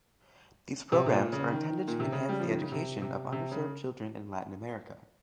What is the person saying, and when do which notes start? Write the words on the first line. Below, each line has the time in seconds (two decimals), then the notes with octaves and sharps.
These programs are intended to enhance the education of underserved children in Latin America.
0.92 C3
1.06 C3
1.12 A#2
1.33 C#3
1.52 D#3
1.88 A#2
2.00 C3
2.12 C#3
2.29 G3
2.40 F3
2.51 D#3
2.62 C#3
2.72 C3
3.02 C3
3.32 C3
3.52 C#3